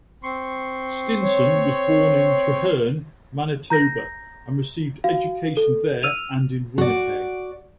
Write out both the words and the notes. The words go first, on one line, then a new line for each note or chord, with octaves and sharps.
Stinson was born in Treherne, Manitoba, and received education there and in Winnipeg.
C4 C6 C#6
C#5
A#5 G6 A#6
F#4 F5
A4
E6 F6 D#7 F7
F#4 D5